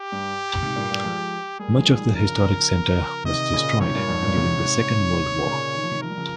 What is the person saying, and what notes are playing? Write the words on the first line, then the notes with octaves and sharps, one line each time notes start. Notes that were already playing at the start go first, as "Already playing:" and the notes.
Much of the historic centre was destroyed during the Second World War.
Already playing: G4
G2
G#2 C3
G2 A#2
G2 A#2
F3 G#3
G3 A#3 G#4
G3
F3 G#3
G#3
D#3 G3
C#3 F3 A#4
C3 D#3 D#5
A#2 C#3
G#2 C3 C#5
G2 A#2
F2 G#2
G2 A#2
G#2 C3
A#2 C#3
D#3
F3
C3 D#3
F3 A#4
G3
C#3 F3